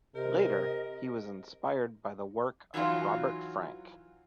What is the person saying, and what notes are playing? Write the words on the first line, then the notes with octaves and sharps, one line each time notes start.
Later he was inspired by the work of Robert Frank.
C3 G4 A#4 D#5
E3 F#3 D#4 F4